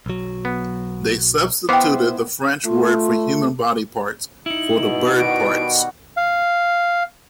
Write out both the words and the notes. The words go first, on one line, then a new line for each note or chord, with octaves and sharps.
They substituted the French word for human body parts for the bird parts.
B1 F#3
B3
B3 E4 C5 F5 G5 D6
A3 F4
D#4 E4 F#7
B2
D#3 G3 F#4 D7
B3
F5